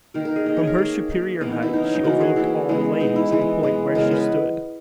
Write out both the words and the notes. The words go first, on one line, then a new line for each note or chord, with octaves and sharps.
From her superior height she overlooked all the ladies at the point where she stood.
D#3 A#3 A#4
A#4
G#4
D#3 A#3 D#5
C#5
A#4
D#3 A#3 G#4
D#3 A#3
E3 A#3 B3
D#4
E4
E3 A#3 D#4
C#4
D#4
E3 A#3 F#4
G#4
E3 A#3 E4
E3 G#3 B3
E3 G#3 B3 D#4
E4
E3 G#3 B3
E3 G#3 B3
C#3 G#3 B3 A#4
B4